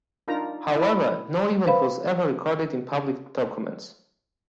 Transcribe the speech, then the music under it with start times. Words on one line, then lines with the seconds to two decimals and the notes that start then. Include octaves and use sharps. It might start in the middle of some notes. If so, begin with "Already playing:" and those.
However no event was ever recorded in public documents.
0.28 D4 D#4 F4 A#4 A#5
0.76 E4
1.66 B4 C5 F5 B5